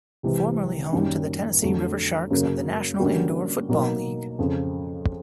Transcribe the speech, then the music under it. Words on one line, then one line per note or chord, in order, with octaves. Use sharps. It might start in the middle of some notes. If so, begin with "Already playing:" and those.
Formerly home to the Tennessee River Sharks of the National Indoor Football League.
C2 C3 E3 G#3 C4
F#2 D#3 G3 A#3 C#4
F2 D3 F#3 A3 D4
F#2 C#3 F#3 A#3
D3 G3 A#3 C#4 F#4
B2 F#3 A#3 D#4
F2 C#3 F3